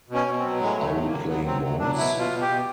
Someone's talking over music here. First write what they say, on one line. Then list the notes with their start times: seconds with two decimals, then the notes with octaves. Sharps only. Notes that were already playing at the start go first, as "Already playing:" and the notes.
Are we playing balls?
0.09 B2
0.15 C#4
0.27 B2
0.38 C4
0.44 F#3
0.60 A2 G#3
0.77 F#3
0.83 A3
0.94 F#3
1.06 A#3
1.11 F#3
1.28 F#3 B3
1.45 F#3 C4
1.62 F#3
1.79 F#3 D4
1.96 B2 E4
2.14 B2
2.19 F4
2.31 B2
2.42 G4
2.48 B2